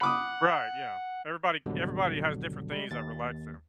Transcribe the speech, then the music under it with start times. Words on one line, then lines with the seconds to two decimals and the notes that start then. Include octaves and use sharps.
Right, yeah. Everybody everybody has different things that relax them.
0.01 F#5 B5 D6 D#6
1.66 G#1 C#2 B2 D3 F#3 G3
2.72 G3 G#3
2.91 D#2 A6